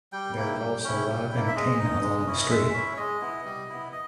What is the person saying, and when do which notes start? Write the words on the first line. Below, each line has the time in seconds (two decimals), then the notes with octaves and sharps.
There is also live entertainment along the street.
0.12 G3 G5
0.37 A#3 E4
0.60 G3
0.84 C#4 E4
1.07 G3
1.32 A#3 E4
1.48 E5
1.55 G#3 D#5
1.79 D#4
2.03 G#3
2.26 C#4 E4
2.40 D#5
2.51 G#3 E5
2.74 C#4 E4
2.92 C#5
2.97 G#3 D#5
3.22 B3 E4
3.45 G3
3.69 B3 E4
3.92 D#5